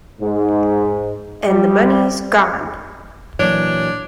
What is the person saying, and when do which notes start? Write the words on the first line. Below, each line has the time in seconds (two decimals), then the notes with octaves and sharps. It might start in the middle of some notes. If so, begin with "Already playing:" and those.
And the money's gone!
0.21 G#2
1.47 G3
3.39 A#2 E3 F#3 D4 C#5